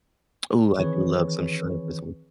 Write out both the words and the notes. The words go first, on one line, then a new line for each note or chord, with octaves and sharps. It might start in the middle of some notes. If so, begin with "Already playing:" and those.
Ooh, I do love some shrimp with some
D#3 E3 C4 G#4 B4 C#5